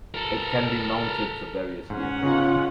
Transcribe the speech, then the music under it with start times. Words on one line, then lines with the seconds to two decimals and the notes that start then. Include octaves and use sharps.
It can be mounted to various vehicles.
0.14 A4 A#4
1.90 G#2 C#4 F#5
2.23 C#3 B3 D#4 F4